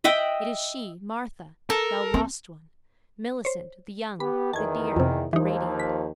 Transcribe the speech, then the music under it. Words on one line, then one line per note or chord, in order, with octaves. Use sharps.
It is she, Martha, thou lost one, Millicent, the young, the dear, the radiant.
D#5 E5 F#5 G5
A4 A#4
C4
C5 C#5
B3 G4 B5
E2 D#3 A5 G#6
F2 C3
D#2 E3 F3 D#4
B6